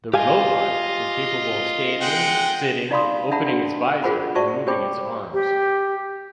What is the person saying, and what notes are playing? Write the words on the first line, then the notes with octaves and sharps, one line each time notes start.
The 'robot' was capable of standing, sitting, opening its visor and moving its arms.
F4 G4 D#5 F5 G#5
G#3 F#5 G5
D#4 D5 F5 B5 C6 D#6
D4 E5 F#5 A5 B5
D4 F#4
F4 G#4 A#4 C5 F#5 B5
F#4 C5 D5 E5 A5 C#6
G4 C5 C#5 G5 B5 D6
G4